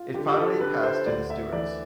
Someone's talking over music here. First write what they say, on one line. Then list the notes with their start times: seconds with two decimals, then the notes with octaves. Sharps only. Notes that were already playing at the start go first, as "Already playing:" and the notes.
It finally passed to the Stewarts.
Already playing: F4
0.14 D3 G4
0.31 G4
0.37 A4
0.61 D3 B4
0.83 C5
1.06 D2 D5
1.30 E5
1.53 E3 D5